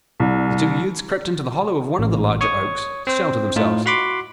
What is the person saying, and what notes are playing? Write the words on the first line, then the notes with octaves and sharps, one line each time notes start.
The two youths crept into the hollow of one of the larger oaks to shelter themselves.
C2
A1
C#5 C#6 D#6
C4 C5
A2 D#4 F4
F#4 F#5 B5 C6 D6